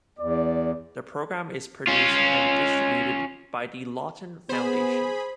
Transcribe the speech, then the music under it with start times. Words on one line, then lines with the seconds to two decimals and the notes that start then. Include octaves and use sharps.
The program is produced and distributed by the Lawton Foundation.
0.19 E2 D5
1.87 C#4 F4
4.49 B3 G#4 C5 B5